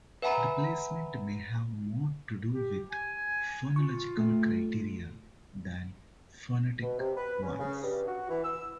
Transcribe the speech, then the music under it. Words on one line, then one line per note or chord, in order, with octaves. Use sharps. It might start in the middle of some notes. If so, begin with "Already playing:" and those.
The placement may have more to do with phonological criteria than phonetic ones.
B4 E5 F#5 G#5 A#5 B5
G4
G#5
F4 C#6
A3
B2
C3
B4
C#4
C#3
G2
F#4
E3
E6